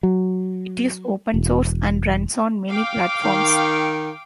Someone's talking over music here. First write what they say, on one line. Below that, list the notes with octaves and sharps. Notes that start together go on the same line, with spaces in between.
It is open source and runs on many platforms.
F#3
E1
F5 G5 D6
D#3